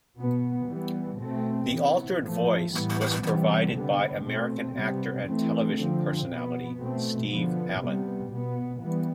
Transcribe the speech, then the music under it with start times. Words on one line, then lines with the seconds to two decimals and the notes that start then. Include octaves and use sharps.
The altered voice was provided by American actor and television personality Steve Allen.
0.17 B2 B3
0.68 E3 G3 B3
1.19 B2 A3 C4
1.70 C3 E3 B3
2.20 A2 F3 A3
2.72 A2 E3 G3 B3
3.22 C3 E3 G3 B3
3.73 D3 G3 B3
4.23 B2 A3 C4
4.75 C3 G3 B3
5.26 E3 A3 C4
5.76 D3 F3 C4
6.27 B2 B3
6.77 B2 A3 C4
7.29 D3 F3 B3
7.80 C3 G3 B3
8.30 B2 B3
8.80 E3 G3 B3